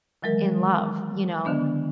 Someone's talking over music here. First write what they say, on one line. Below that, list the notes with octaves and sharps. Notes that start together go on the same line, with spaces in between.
in love, you know?
D#3 E3 F#3 G#3 A#4
D3 D#3 B3 D4